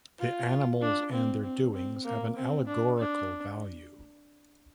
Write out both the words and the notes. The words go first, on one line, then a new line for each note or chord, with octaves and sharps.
The animals and their doings have an allegorical value.
F4
D4
C4
C4
C4
A#3
C4
D4
D4